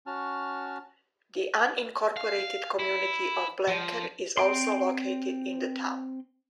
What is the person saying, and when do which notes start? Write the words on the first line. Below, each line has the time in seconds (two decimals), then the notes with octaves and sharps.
The unincorporated community of Blenker is also located in the town.
0.07 C#4 F#4 A5 F6
2.17 F5
2.79 E4
3.68 F3
4.37 C4 G5 C6